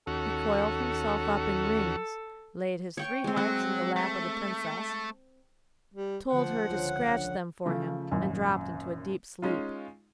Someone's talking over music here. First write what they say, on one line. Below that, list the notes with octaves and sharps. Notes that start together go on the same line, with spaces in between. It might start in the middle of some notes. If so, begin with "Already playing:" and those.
He coiled himself up in rings, laid his three heads in the lap of the Princess, told her to scratch them for him, and dropped into a deep sleep.
D#2 C#4 F#4 A4
C#5 G5 C#6
G#3 C4
F#3 C4
A3
G3
D3 F3 B3 F#5
C#2 F4 C5
A#1 C#5 C#7
C#3 F3 A3
G#1 F#2 A#2
G#3 C#4 D#4 F4